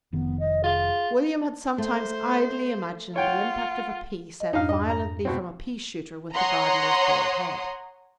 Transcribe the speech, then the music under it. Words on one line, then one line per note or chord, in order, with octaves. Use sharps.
William had sometimes idly imagined the impact of a pea sent violently from a pea-shooter with the gardener's bald head.
F1 D#3 B3
D#5
F4 G#4
A3 C5
F4 C#5 F#5 G5
D#5
F2 G#2 D4 D#4 F5
D#5
A#5
B2 C4
C#5 F#5 A#5 C6 D#6